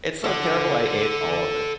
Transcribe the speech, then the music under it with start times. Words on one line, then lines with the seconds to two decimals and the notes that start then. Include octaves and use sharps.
It's so terrible, I ate all of it.
0.24 A4 F#5